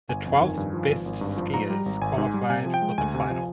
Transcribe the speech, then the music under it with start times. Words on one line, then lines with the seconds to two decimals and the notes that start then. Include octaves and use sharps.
The twelve best skiers qualified for the final.
0.09 G1 G#5
0.25 F2
0.41 D#3
0.57 G2
0.73 F3
0.90 G#1
1.06 G#1
1.21 G2
1.37 F3
1.54 G#2 A#5
1.70 G3
1.86 G#1
2.01 G#1 G#5
2.18 G#2
2.34 G3
2.50 C3 G#5
2.66 F3
2.74 G5
2.82 G#3
2.98 D2 G#5
3.14 C3
3.30 F3